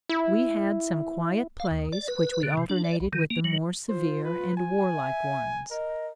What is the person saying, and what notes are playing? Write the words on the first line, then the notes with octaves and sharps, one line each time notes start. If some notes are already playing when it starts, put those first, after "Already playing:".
We had some quiet plays which we alternated with the more severe and warlike ones.
E4
F5
D#2
D5
B4
D3
C3
D4
D5
B1
D#3
A#3
F#3
F4 C5
B4
G#5
E5
A#4 D#5